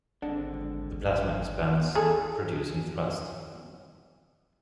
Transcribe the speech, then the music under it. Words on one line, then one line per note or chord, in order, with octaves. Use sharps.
The plasma expands, producing thrust.
G#1 D3 G#3 C4 D4 F#5
G#4 A4